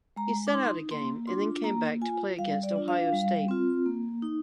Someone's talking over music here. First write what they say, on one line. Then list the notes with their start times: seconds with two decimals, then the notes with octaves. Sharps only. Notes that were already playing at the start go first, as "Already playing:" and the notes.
He sat out a game and then came back to play against Ohio State.
0.16 G#3 A#5
0.47 D6
0.53 D#4 C6
0.91 A#3 C6
1.27 D4 F4 C6
1.64 A#3 A#5
2.02 F4 G#5
2.39 G3 F5
2.63 D5
2.76 D4 F4
2.88 F5
3.12 G3
3.48 C4 F4
3.86 A#3
4.22 D#4